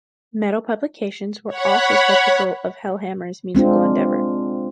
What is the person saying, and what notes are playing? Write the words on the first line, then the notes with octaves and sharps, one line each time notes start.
Metal publications were also skeptical of Hellhammer's musical endeavor.
C#5 F#5 B5
G#3 C4 D4 F4